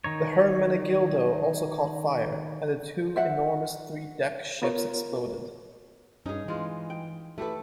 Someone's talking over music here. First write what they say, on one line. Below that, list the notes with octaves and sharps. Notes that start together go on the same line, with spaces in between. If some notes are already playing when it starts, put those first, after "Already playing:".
The "Hermenegildo" also caught fire and the two enormous three-deck ships exploded.
D#3 D#4 C#5
C5 E5 F#5
B3 F4 A#4 C#5
G2 C#4 D#4 G#4
E3 G#3 F4
G5
A3 E4 G4 A4 B4